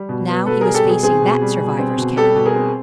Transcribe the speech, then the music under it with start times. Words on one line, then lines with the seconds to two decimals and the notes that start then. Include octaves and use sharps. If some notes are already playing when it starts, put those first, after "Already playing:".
Now he was facing that survivor's camp.
Already playing: G3
0.09 B2
0.28 B3
0.46 B2 A4 B4
0.61 G3 G#4 A#4
0.74 G4 A4
0.84 B2 G#4
1.03 C4 G#4
1.22 B2
1.41 G3
1.60 B2
1.79 C4
1.98 B2
2.17 G3 G4 A4
2.35 B2
2.45 G#4 A#4
2.55 C4